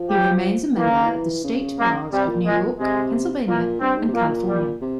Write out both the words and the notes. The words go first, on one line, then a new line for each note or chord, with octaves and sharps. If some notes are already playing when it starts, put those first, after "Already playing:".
He remains a member of the State Bars of New York, Pennsylvania and California.
Already playing: F3
G4
E3 A#3
C#3
E3
C#3
A#3
C3 G3
A#2
G#3
C3 G#3
A#2 A#3
G2 C4
G#2
C3
A#2 A#3
G3
C3